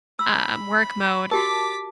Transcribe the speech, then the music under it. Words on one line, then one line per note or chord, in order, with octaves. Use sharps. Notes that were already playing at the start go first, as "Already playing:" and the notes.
um, work mode,
B5 E6
F#4 G4 A#4 A5 D6 B6